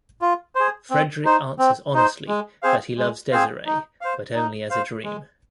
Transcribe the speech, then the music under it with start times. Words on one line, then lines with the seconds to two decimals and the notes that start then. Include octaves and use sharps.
Fredrik answers honestly that he loves Desiree, but only as a dream.
0.21 F4
0.55 G#4 C5
0.90 C4
1.25 D#4 C5
1.59 C4
1.94 D#4 C5
2.28 G#3
2.63 C4 G#4 C5 F5
2.97 G#3
3.32 C4 G#4 C5 F5
3.66 D#4
4.01 C5 F5
4.35 D#4
4.70 C5 F5
5.05 G#3